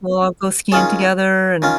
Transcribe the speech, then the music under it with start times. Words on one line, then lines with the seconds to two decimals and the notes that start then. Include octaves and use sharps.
we'll all go skiing together and
0.72 D#3 C#4 F4 G#4 C#5
1.62 D#3 C#4 F4